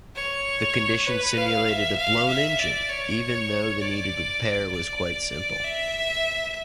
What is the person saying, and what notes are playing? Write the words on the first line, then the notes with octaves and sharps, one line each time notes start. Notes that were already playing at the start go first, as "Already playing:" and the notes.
The condition simulated a blown engine, even though the needed repair was quite simple.
C#5
B4
F5
E5
F5
E5
D5
C#5
D5
D5
E5